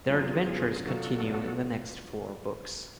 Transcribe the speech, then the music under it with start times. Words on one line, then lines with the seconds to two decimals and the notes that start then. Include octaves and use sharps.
Their adventures continue in the next four books.
0.09 F#2 D3 F#3 B3 F4 G#4
0.48 F#2 D3 F#3 B3
0.85 B2 F#3 B3 D4 F4 F#4 A4
1.23 B2 F#3 B3 D4 F4